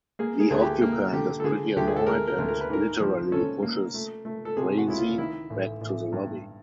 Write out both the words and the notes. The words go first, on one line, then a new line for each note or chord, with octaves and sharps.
The occupant is pretty annoyed and literally pushes Krazy back to the lobby.
A#3 G#4
G#4
D2 G#4
G4
A#3
D3 G4
A4
D3 G#4
D2 G4
G#4
A4
G#3 A#4
A#4
D2
A#4
B4
G#2 A#4
F3
C#4 A4
A#3
A3
A3
A4
C3 G#4
F#4
C#2 E4
F4
D#3 E4
A1
A1
G2